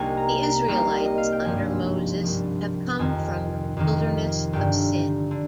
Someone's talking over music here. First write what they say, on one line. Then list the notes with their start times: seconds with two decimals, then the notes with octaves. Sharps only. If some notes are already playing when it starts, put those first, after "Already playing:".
The Israelites under Moses have come from the wilderness of Sin.
Already playing: C2 C3 G3 A#3 D#4 G#5
0.17 A#5
0.43 A#5
0.68 C2 C3 G3 A#3 D#4 A#5
1.05 D#5
1.18 F5
1.32 G5
1.45 G#1 G2 F3 G#5
2.22 G#1 G2 F3
2.99 F2 C3 D#3 G#5
3.77 F2 C3 D#3
4.53 G1 G2 D3 G5
5.31 D3